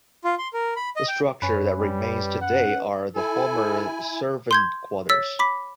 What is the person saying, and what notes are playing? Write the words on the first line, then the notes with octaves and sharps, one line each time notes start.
The structure that remains today are the former servant quarters.
F4
C6
A#4
B5
D#5
G5
F#2 C#4 B4
G3
F#5
E4 A4 G#5
C6 G6 G#6
C#5 E6 A6 B6
B5 D6 B6